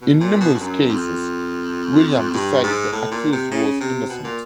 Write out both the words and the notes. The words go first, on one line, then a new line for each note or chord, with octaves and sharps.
In numerous cases Willam decided the accused was innocent.
B2
A#2
B2
G2
F#2
F2
G2
G#2
A2
A#2
C3
C#3
C3
B2
A#2